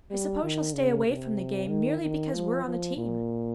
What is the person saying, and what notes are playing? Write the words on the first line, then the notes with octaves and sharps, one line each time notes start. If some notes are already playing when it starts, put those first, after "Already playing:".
I suppose she will stay away from the game merely because we are on the team.
G3
D#3
C#3
C3
D#3
D#3
F3
F3
A#2